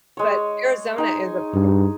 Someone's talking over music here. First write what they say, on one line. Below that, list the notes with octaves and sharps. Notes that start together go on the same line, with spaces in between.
but Arizona is a pla
G#3 C#5
D#4 G#5
G2